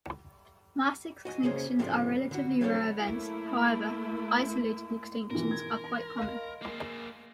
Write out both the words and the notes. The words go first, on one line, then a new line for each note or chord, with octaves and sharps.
Mass extinctions are relatively rare events; however, isolated extinctions are quite common.
F#4 D#5 G#5
C#3 A#3 C#4 G#4 C5
G#2 C3 F3 A3 C#4 D4
D3 F#4
F#3 A3 C4 D4 A4 C#5
A3 A#3 E4
B2 D#3 E3 A#4
G#6
D#5 F5
A#3 G#4